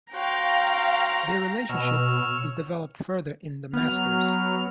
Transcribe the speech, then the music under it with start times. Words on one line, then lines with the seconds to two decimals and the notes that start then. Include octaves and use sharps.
Their relationship is developed further in "The Masters".
0.13 F#4 C5 C#5 F5 G5 A#5
1.69 B2 C#5 E6 F6
3.73 F#3 B3 F6